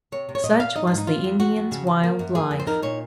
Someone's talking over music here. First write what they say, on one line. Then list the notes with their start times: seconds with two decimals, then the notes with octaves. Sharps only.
Such was the Indians' wild life!
0.12 C3 C#5
0.29 C3
0.35 C#5
0.44 A#2 D#5
0.60 A#2 F5
0.76 D#4 D#5
0.87 G#2 F4
0.98 D#4
1.07 F2 F4
1.24 F2
1.39 F2 F#4
1.56 F2
1.72 C#3
1.87 C#3
2.03 A#3
2.19 F#2
2.35 A#3 G#4
2.51 F2
2.60 C5
2.67 D#4 A#4
2.82 A#2 C#5